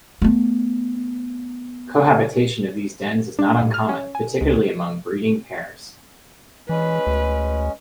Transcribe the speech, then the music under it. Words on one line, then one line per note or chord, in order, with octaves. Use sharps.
Cohabitation of these dens is not uncommon, particularly among breeding pairs.
A3 B3
D4
A2
F6
C#4
G#5
C#2
E3 G#3 C#4 B4
D2